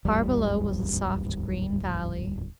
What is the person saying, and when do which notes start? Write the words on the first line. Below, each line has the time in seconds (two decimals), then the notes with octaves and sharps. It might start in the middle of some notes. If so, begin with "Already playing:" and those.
Far below was a soft, green valley.
0.05 D1 G#1 E2 G3